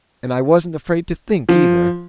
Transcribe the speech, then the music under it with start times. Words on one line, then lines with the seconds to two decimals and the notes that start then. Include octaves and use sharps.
And I wasn't afraid to think either.
1.49 F3